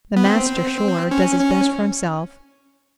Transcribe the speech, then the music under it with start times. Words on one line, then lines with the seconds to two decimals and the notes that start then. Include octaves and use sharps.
The master, sure, does his best for himself!
0.17 B3
0.25 C4
1.11 C#4
1.40 C#4